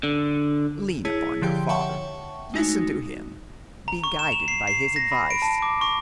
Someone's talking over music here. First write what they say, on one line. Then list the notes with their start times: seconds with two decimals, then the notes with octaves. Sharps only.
Lean upon your father, listen to him, be guided by his advice.
0.03 D3
1.05 E4 G#4 C#5 A5
1.42 D3 F3 G4 G5 C6
1.69 C#5 E5 F#5 G5 A5 C#6
2.54 G#3 A3 D#4 F#4
3.88 A#5
4.04 C#6
4.19 E7
4.32 F7
4.48 C7
4.67 C7
4.96 A#6
5.12 B5
5.30 D7
5.42 A5
5.62 D6
5.81 C#6